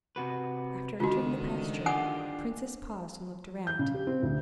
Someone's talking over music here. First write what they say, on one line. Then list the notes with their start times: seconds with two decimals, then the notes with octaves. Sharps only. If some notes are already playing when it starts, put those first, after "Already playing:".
After entering the pasture, the princess paused and looked around.
0.16 C3 F#4 B4
1.00 C#2 D3 D#3 F4 F#4
1.86 D4 F4 G4 F#5 G#5 D#6
3.67 G6
3.79 C#3
3.94 G4
4.07 C4
4.23 D2